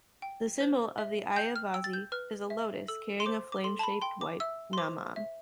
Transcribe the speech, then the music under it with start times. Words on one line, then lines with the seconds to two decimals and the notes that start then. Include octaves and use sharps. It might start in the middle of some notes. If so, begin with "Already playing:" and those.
The symbol of the Ayyavazhi is a lotus carrying a flame-shaped white 'Namam'.
0.22 G5
0.61 C5
0.98 E5
1.36 G5 G6
1.56 F6
1.74 G5 E6
1.84 A6
1.93 G6
2.12 B4 F6
2.50 E5
2.88 A4 E6
3.20 C6
3.26 C5 D6
3.52 D6
3.64 A4 C6
3.79 A5
3.83 B5
4.02 G5 C6
4.21 D6
4.40 E5 E6
4.73 C6
4.78 C5 D6
5.16 E5